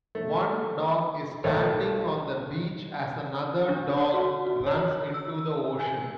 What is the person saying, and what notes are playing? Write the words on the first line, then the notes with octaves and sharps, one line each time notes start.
One dog is standing on the beach as another dog runs into the ocean.
A3
B1 D#3 A3 A4 C#5
D4
C#5
F#4
F#4
C#5
E6
G#5